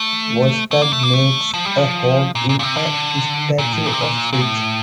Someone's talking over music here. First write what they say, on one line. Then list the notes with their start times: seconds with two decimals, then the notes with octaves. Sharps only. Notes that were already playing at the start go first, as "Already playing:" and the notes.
Volstagg makes a home in a statue of Frigg.
Already playing: A3
0.71 A3
0.82 A#3
0.93 A3
1.03 A#3
1.14 A3
1.54 F3
1.65 G3
1.78 F3
2.35 A#2
2.49 A#2
2.59 A#2
2.63 C3
2.76 D3
3.58 A#2
3.73 A2
3.86 A#2
3.93 C3
4.01 A#2
4.33 A#2
4.41 A2